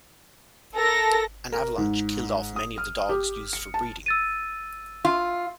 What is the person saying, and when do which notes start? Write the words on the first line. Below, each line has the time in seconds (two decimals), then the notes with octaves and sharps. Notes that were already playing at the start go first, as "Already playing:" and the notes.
An avalanche killed off many of the dogs used for breeding.
0.76 A4 A#4 A#6
1.52 A#4
1.78 G#2
2.56 D#6
2.78 F6
3.09 G4
3.53 C#7
3.74 A5
4.06 E6 A6 D#7
5.05 F4